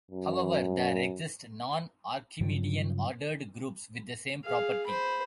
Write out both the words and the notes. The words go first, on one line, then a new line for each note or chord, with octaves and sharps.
However, there exist non-Archimedean ordered groups with the same property.
F#2
G2 C#3 F3 F#3
G#4 F5
C5 B5